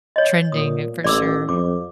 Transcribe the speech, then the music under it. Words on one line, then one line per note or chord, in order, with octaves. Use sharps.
trending, uh, for sure.
C#5 D#5
A#2 D#6
A1 D5 D6 E6
F2 D6